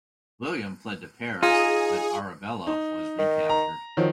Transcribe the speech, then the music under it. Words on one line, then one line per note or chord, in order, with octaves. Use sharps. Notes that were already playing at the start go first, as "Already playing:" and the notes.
William fled to Paris, but Arabella was recaptured.
D#4 F4 G#4
D#4
D#3
A#5
D#3 F3 F#3